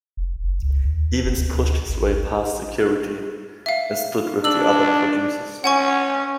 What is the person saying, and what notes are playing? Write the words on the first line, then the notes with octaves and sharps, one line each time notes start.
Evans pushed his way past security, and stood with the other producers.
F1
F#1
C#2
D#2
F#1
D2
A1
E5 F5
D4 E6 F#7
C#4 F#5 G#5 C#6